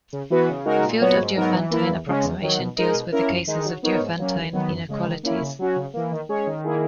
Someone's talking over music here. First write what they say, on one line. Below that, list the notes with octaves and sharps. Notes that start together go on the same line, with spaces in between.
The field of Diophantine approximation deals with the cases of "Diophantine inequalities".
C#3
E3 B3 F#4 B4
C#3
G#3 D#4 F#4 A#4
A#2
F#3 B3 F#4 C#5
G#2
F#3 B3 D#4 A#4
E3
A#3 E4
E2
C#3 G#3 C#4
E2
D#3 F#3
B2
G#3 D#4 A#4 D#5
B2
A#3 C#4 E4 A#4
F#2
D#3 G#3 D#4
F#3
B3 D#4 A#4 C#5
G#2
F#3 A#3 C#4
D#2
D#3 F#3 B3
F#2
C#3 G#3
D#3
A#3 C#4 E4
C#3
F#3 C#4 F#4
C#3
E3 A#3
D#3
G#3 C#4 G#4 C#5
D#3
A#3 E4 G#4